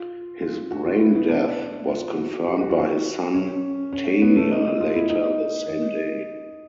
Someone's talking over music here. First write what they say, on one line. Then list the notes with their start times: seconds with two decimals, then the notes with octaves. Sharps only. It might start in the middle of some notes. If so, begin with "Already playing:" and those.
His brain death was confirmed by his son Tamir later the same day.
Already playing: F4
0.42 F4
0.71 F#4
0.86 F4
1.00 E4
1.15 B3
1.29 D4
1.88 F4
2.17 F#4
2.46 G4
2.61 F#4
2.69 F4
2.78 F#4
3.34 C#4
3.93 C#4
4.22 B3
4.37 A3
4.51 D#4
4.81 F4
4.95 E4
5.10 D#4
5.68 D#4